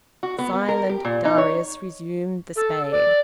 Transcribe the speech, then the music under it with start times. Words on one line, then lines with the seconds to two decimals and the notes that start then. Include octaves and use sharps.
Silent, Darius resumed the spade.
0.23 F#4
0.39 B3
0.53 B3
0.69 A#4
0.89 G4
1.05 A#2
1.25 D#4
1.38 C#5
2.56 A4
2.91 D5